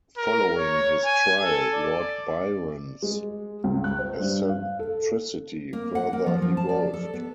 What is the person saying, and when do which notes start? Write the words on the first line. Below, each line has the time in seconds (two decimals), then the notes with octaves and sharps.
Following his trial, Lord Byron's eccentricity further evolved.
0.17 A#4
0.57 C#5
1.05 G#5
1.43 A4
1.73 D5
3.02 G#3
3.64 C#2
3.84 F#6
3.99 C5
4.20 G2
4.49 F5
4.79 A4
5.73 A#3
5.95 F#5
6.13 A#3
6.26 F3
6.42 F3
6.57 A5
6.69 D5
6.94 A4
7.14 B3